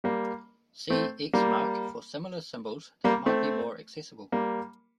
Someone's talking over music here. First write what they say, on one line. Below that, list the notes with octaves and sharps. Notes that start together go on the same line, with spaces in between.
See X mark for similar symbols that might be more accessible.
G3 A#3
A3 C4
G3 A#3
G3 A#3
A3 C4
G3 A#3